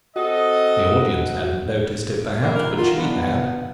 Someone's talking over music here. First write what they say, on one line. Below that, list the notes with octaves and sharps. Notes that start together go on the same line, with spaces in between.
The audience hadn't noticed it, perhaps, but she had.
C4 F#4 A4 D#5
E3 F#3 A#3 B4
D3 A#3 E4 A#4
D#4 F4 F#4
F#3 B3 D4 B4